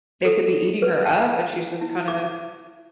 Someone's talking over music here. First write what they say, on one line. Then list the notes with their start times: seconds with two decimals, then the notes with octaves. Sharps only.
it could be eating her up, and she's just, kinda
0.25 A4
0.82 B4
1.05 A5
1.81 E4
2.08 D6